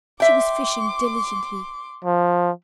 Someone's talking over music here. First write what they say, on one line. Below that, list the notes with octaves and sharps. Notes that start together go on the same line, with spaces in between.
She was fishing diligently.
E5 G5 C6 D6
F3